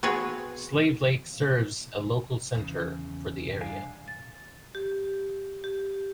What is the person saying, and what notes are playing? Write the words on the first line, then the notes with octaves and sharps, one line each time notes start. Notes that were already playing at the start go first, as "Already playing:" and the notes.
Slave Lake serves a local centre for the area.
B3 C4 F#4 G#4 B4 C#5
E2 C#3
G2 D4 F5 G#5
A6
G4
G4